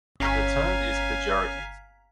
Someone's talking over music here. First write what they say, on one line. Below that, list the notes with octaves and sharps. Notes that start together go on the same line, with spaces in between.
The term is pejorative.
G1 C#4 F5 G#5 A#5 B6